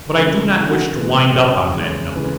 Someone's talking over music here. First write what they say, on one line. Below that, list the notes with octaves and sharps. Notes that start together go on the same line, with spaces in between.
But I do not wish to wind up on that note.
C#3 E3 G#3
C#3 E3 G#3 E4
F#4
C#3 E3 G#3 B4
B4
C#3 F#3 C#5
C#3 E3 G#3
C#3 E3 G#3 B4